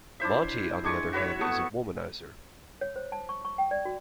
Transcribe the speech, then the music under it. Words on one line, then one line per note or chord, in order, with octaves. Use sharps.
Monte, on the other hand, is a womanizer.
D4 E4 C5 E5
G#3 D4 G#5 C#6
F#4 B4 C#5 E5
A3 B3 A4 C#6
C#5
C5
A5
C#6
C#6
G5
D5
F#4